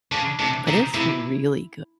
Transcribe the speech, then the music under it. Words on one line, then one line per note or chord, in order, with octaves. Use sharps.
but it's really
C#3 D4
C3 D4
C3 D#4
C3 E4